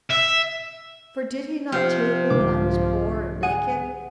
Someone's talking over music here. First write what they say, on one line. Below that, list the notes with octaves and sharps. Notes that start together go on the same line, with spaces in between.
For did he not take me when I was poor and naked?
E5
C3 F3 F6 G6 C7
C2 G#2 D3 D6
G#4 F#5 D#7